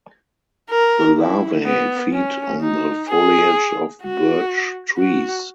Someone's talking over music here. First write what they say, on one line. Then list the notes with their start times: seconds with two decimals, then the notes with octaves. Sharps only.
The larvae feed on the foliage of birch trees.
0.70 A#4
1.17 E4
1.65 B3
2.13 C#4
2.61 D#4
3.08 G#4
4.02 F#4
4.98 F#4